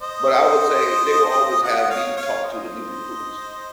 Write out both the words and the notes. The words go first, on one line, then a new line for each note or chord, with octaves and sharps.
but I would say they would always have me talk to the new recruits.
C5 D#5
D#5 F#5
C#5 F5
C#5 F5
C5 D#5